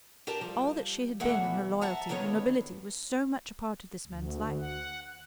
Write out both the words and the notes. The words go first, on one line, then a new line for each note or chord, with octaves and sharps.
All that she had been in her loyalty, her nobility, was so much a part of this man's life.
G4 A#4 D5 A5
F3 G3
E2 B2 E3 A3 E5 F#5
E5 F#5 A5 A#5
F2 D3 D#3 B3 C#5
D2
F#5